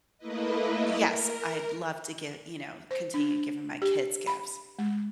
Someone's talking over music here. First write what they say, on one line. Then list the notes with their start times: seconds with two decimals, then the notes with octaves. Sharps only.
Yes, I'd love to give you know, continue giving my kids gifts,
0.18 A3 A#3 E4 B4 D#5
0.97 A#4
2.91 C5
3.14 D4
3.82 G4
4.27 B5
4.79 G#3